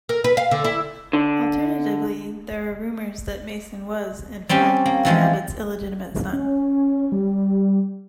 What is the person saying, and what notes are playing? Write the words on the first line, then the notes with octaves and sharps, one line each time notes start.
Alternatively, there are rumours that Mason was, in fact, the abbot's illegitimate son.
A#4
B4
F5
D3
E4
D3
G3 C4 C#4 G4
A#3
E3 F3 G#3
C#4
G3